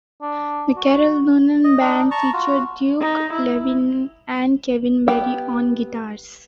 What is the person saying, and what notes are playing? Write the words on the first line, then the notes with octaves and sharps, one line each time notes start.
The "Carol Noonan Band" featured Duke Levine and Kevin Barry on guitars.
D4
F#4
D#5
D4 D#4
A5 A#5 C#6
F4 F#4
D#4
E4
B3 G4 G5